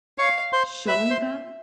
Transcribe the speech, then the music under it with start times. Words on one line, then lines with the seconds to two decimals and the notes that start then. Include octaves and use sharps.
showing them.
0.18 C#5 F5 C#6
0.53 C5 C6
0.87 B4 E5 B5
1.10 C5 C6